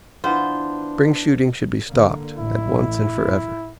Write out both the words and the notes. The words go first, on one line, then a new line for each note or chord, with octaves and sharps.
Spring shooting should be stopped, at once and forever.
E3 B3 D4 F4 C5
D3 A#3
A1 E4